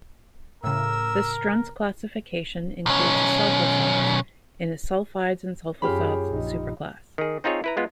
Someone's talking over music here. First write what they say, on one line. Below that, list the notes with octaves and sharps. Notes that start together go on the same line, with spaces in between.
The Strunz classification includes the sulfosalts in a "sulfides and sulfosalts" superclass.
A2 C#3 A#4 E6
B1 C#4
F#2 C#4 F4 G4 G#4 B5
A#1 D#4
D#3 G#4
C4 D#4 F4 G#4 C#5
E4 B4 A#5
G#3 B3 F4